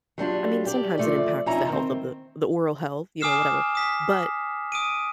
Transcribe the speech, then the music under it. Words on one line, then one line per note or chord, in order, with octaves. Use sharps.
I mean, sometimes it impacts the health of the the oral health, you know, whatever, but
F#3 G3 D4 F4
G4 D5
F3 A3 D5
F2 C#4 D#4 E4 A#5
D#3 C4
G#5 D6 D#6 F6 C7 E7
D#6 B6
D#6 D7 D#7